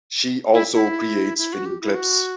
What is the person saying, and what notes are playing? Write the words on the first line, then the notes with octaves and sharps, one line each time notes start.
She also creates video clips.
E4
E4
E4
F#4
G4
E4
F#4